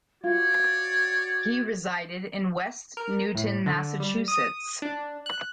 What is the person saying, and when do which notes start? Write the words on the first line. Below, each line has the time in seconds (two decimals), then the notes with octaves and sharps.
He resided in West Newton, Massachusetts.
0.24 F4 F#4 C#5 D5 G#6
2.97 A#4
3.35 A2
3.66 D3
4.00 G3
4.28 D#6
4.82 D4
5.26 F#6